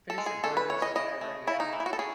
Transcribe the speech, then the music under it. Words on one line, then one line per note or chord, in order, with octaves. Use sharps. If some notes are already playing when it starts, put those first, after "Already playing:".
Fish or birds or whatever, yeah.
A4
G#3
G#4
C#4 A4
B4
E3 C#5
D#5
E3 D#5
A3
C#4 E4
D#4
E3
E4
F#4
A4
C#4 G#4